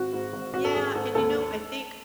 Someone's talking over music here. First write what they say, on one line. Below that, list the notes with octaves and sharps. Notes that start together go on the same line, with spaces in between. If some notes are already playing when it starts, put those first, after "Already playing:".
Yeah, and, you know, I think,
Already playing: G#1 F#4
G#2
G#1
G#1 F#4
A4
G#1 G#4
G#2 A4
D#2 A4